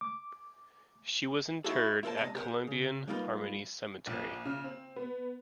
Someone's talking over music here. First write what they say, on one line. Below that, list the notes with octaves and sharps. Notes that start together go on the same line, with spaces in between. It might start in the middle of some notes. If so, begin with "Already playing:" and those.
She was interred at Columbian Harmony Cemetery.
D6
D#4 E4 F#4 G#4 A4
E4 F4 A4 A#4 C5 A5
G#2 C3 A#3 D5 D#5 A5
G4 G#4 A#4 B4 F#5
C#3
G3 A#3 D#4 F4 A#4 B4
A#1
C#3
C4
B3